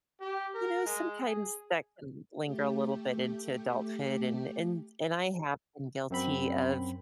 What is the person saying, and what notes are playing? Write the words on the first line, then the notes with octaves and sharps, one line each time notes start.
you know, sometimes that can linger a little bit into adulthood, and and and I have been guilty of,
G4
A#4
G#3
G#4
A3 G4
F#2 C4 B5